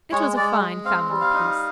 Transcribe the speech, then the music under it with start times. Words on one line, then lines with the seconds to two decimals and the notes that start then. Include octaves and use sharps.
It was a fine family-piece.
0.12 G#3 C#5
0.36 G#3 D5
0.61 G#3
0.85 C4 F5
1.09 G3
1.21 F5
1.34 D#4